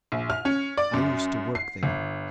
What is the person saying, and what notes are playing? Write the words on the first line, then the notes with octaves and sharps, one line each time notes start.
"I used to work there."
A#1
F6
C#4
D5
F#2
C7
G1